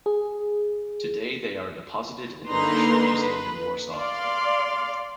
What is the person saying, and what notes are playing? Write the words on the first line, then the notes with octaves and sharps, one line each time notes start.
Today they are deposited in the National Museum in Warsaw.
G#4
D3 A#3 D#4 B4 A#5 C6
B4
D5 F5 C6